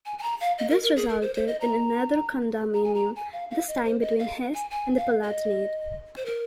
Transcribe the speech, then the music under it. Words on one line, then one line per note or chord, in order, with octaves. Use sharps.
This resulted in another condominium, this time between Hesse and the Palatinate.
G#5
G#5
A#5
F5
D#5
A#4
A#4
G#4
A#4
C5
C5
D#5
A#5
A#5
G#5
A#5
G#5
F5
F5
D#5
C5
D#5
F5
G#5
G#5
F5
D#5
C5
A#4